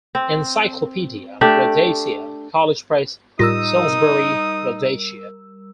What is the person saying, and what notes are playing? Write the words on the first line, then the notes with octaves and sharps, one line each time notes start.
"Encyclopaedia Rhodesia", College Press, Salisbury, Rhodesia.
C4
A3 D4 G4
A2 G3 D#4 F4 A#4 D#6 E6 A#6